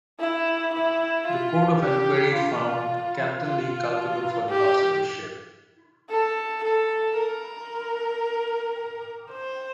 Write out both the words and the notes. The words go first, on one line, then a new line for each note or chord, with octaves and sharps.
The Court of Enquiry found Captain Lee culpable for the loss of his ship.
E4
E4
F4
G4
F4
F4
G4
A4
A4
A#4
C5